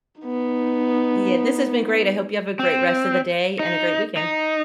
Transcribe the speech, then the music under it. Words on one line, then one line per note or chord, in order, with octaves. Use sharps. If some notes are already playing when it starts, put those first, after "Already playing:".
Yeah, this has been great, I hope you have a great rest of the day, and a great weekend
B3 D#4
C4
D#4
D#4